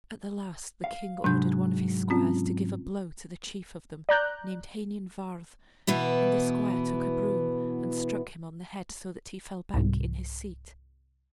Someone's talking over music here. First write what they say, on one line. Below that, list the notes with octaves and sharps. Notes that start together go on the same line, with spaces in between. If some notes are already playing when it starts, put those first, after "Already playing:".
At the last the king ordered one of his squires to give a blow to the chief of them, named Heinin Vardd; and the squire took a broom and struck him on the head, so that he fell back in his seat.
F5
G#2 C3 F#3 D4 G6
C4 C#4 F4
D5 A#5 F#6 G6
B2 E3 B3 E4
C2 G#2